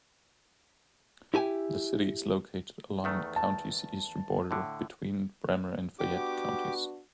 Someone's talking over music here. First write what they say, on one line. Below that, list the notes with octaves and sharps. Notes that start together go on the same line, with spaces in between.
The city is located along the county's eastern border, between Bremer and Fayette counties.
E4 G4 G#5
E2 D#3 A3
A5
A2 D3
B3 D4 F#4 G4 D6